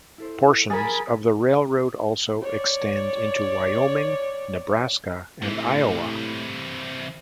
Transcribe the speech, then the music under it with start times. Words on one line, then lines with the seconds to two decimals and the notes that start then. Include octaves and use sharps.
Portions of the railroad also extend into Wyoming, Nebraska and Iowa.
0.18 E4 A4 C5
0.70 F#3 G#4 A#4 G#5 B5 A6
2.42 C#5 D5
5.42 A2 C3 E3